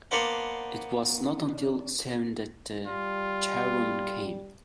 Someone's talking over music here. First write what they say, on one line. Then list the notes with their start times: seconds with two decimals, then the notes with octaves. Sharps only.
It was not until seven that the charwoman came.
0.11 A#3 B3 D4 C5 F#5
2.87 G3 F4